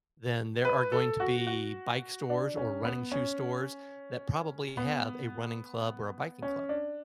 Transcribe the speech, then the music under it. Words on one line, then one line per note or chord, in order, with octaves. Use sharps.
then there are going to be bike stores or running shoe stores that probably have a running club or a biking club.
B4
A4
F#4
F#4
D4
C#4
B3
C#4
B3
C#4
D4